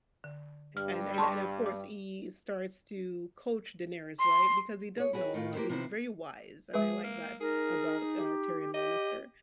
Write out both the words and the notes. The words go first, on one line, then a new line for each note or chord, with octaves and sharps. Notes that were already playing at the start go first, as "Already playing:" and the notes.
and and and, of course, he starts to coach Daenerys, right? Because he does know a lot, he's very wise, and I like that about, uh, Tyrion Lannister.
D3
G2 G3 F6
A5 C6 C#6
D6
C6
G#4 C#5
E4 F#4 G#4 A4 B4 C#5
A2 D#3 F4
A#3 G4 A4 B4 C5
C3 F3 B3 D#4 E4 C5
G#3 G#4 B4
A#3
D#4 G#4 A#4
G4
G4 D#5